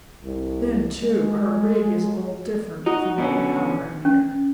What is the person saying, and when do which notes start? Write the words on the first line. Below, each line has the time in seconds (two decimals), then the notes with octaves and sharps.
Then, too, her rig is a little different from what we have around here.
0.24 C2
1.01 G#3
2.86 D#4 F#4
3.18 B2 D3 C#4
4.05 C#4